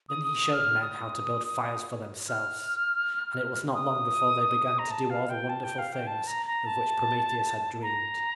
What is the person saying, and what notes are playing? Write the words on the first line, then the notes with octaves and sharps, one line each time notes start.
Then he showed men how to build fires for themselves, and it was not long before they began to do all the wonderful things of which Prometheus had dreamed.
D#6
D#6
F6
D#6
F6
D#6
A#5
A5
F5
G5
A5
G5
F5
G5
A5
A#5
A#5
A5
A#5